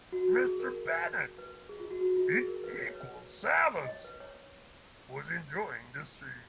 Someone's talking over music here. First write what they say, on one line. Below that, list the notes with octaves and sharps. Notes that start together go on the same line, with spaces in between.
Mr. Bennet, in equal silence, was enjoying the scene.
F#4
G#4
A#4
B4
G#4
F4
F#4
F#4
F4
G#4
A#4
B4
C#5
C#5
B4
D#5
C#5
B4
C#5